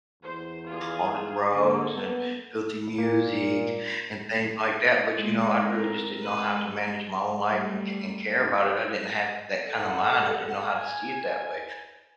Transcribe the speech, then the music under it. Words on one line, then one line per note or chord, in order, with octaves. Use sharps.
all the drugs and filthy music and things like that. But, you know, I really just didn't know how to manage my own life and ca and care about it. I didn't have that kinda mind. I didn't know how to see it that way,
E2 C5
F4 G#4
D3 A#3 A4
B3
A#2 A#3
G#3
C4 A#4
G#3 B4
G3 A3
A4 F#5
G#5